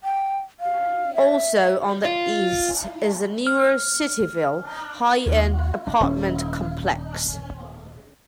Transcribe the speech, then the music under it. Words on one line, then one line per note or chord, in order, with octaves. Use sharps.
Also on the east is the newer Cityville high-end apartment complex.
G5
F5
E5
F4
F6
D#2
D#1 C#4